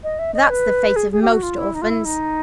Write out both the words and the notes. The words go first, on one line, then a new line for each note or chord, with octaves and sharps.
That's the fate of most orphans.
D#5
E5
D#5
B4
G#4
G#4
G4
F#4
F4
E4
D#4
F4
E4
D#4